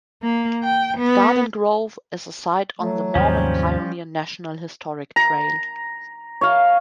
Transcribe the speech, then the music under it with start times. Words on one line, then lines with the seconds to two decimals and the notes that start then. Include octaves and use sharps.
Garden Grove is a site on the Mormon Pioneer National Historic Trail.
0.23 A#3
0.63 G5
0.98 B3
2.79 F#3 A3
3.15 D#2 G#2 C3 F3 G3 C#4 C5
5.16 A#5
6.41 C#5 F5